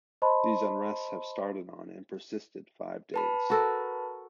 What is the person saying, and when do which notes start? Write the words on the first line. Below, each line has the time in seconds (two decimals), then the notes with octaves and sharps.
These unrests have started on and persisted five days.
0.22 C5 D#5 A5 B5 C6
3.14 B4 A5 B5
3.50 F#4 A4 A#4